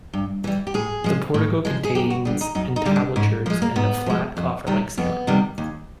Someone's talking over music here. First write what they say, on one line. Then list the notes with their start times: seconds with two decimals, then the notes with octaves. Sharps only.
The portico contains entablatures and a flat, coffer-like ceiling.
0.14 G2
0.44 E3 G3
0.67 G4
0.74 A2 G#4
1.04 F3 G#3
1.34 A2
1.65 F3 G#3
1.84 G#4
1.95 F#2 G4
2.10 F#4
2.25 D3 G3 G#4
2.41 D#4
2.55 F#2 D#4
2.76 D#4
2.86 D3 G3
2.96 D4
3.16 G#2 C#4
3.46 F3 A#3
3.50 G#3
3.62 A#3
3.76 G#2 B3
4.06 F3 G#3
4.37 F2
4.67 C3 D#3 G3
4.97 F2 B3
5.27 C3 D#3 G3
5.58 D#2